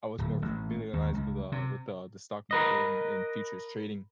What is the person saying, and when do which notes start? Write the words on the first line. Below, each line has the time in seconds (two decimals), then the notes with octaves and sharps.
I was more familiarized with the with the the stock market and and futures trading.
0.18 D1
0.42 A1
0.93 D#2
1.14 C#2
1.52 C3
2.51 A#4 B4 D#5